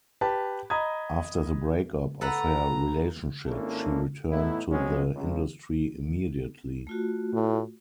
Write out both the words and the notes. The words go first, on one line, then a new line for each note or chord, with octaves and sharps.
After the breakup of her relationship she returned to the industry immediately.
G4 B4 A5
D#5 A#5 B5 D#6 G#6
A4 B4 F#5 A#5
G#1 A#3 C#4 D4 E4 A4
A2 A3 B3 D#4 E4
C3 F#3 G#3 B3 C#4
C#2
A3 F4 F#4
A2